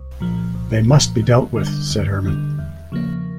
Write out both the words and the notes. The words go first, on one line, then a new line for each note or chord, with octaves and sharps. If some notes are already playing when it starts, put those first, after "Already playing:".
"They must be dealt with," said Hermann.
Already playing: C2
A#2 F3
C2
A#2 F3
D#2
D3 G3
D#2
D3 G3
E2
C#3 F3 A#3